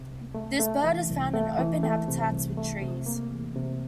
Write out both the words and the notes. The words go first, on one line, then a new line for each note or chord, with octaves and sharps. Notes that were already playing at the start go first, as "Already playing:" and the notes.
This bird is found in open habitats with trees.
Already playing: C3
C2
A3
A3
E3
C2
A3
E3
A3
C3
C2
A3
C3
A#3
E2
C3